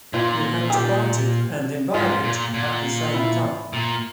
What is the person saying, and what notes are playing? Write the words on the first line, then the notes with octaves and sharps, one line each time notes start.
You had to bite it and imbibe it at the same time.
A#2 F4
G#4
G4
G#2 F4
A#2
A#2
E4
A#2